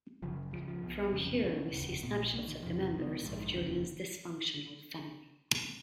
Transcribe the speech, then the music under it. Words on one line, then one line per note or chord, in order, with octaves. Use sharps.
From here, we see snapshots of the members of Julien's dysfunctional family.
F#1 F#2 C#3 F3
C#2 C#3 F3
F3
B1 B2
F1 F2 C#3
C#2 B2 C#4
F1 D#2 C#3
A#1 A#2 B3
A#3
G#3
B1 B2 A#3
D#3
F1 F2 C#3 F3
C#2 B2
A#1 G#2
F1 D#2 C#3